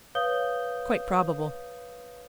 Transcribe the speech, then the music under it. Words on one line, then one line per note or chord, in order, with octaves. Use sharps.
"Quite probable."
B4 C#5 F5 D#6 G6 G7